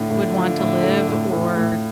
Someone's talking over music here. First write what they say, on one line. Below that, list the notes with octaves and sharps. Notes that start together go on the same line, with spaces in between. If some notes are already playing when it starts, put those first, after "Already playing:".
would want to live or,
Already playing: A2 D3
A2
F3
A2
A2
A2
A2
A2